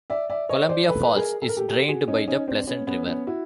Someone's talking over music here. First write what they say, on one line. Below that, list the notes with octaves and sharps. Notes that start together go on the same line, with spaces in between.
Columbia Falls is drained by the Pleasant River.
D5 E5
D5 E5
C#5 D#5
C5 D5
A4 B4
B4
G#4 A#4
A4
A#4
G4 A4
G4 A4
F#4 G#4
C#4 D#4
C#4 D#4
C4 D4
B3 C#4
B3 C#4
B3 C#4
E4 F#4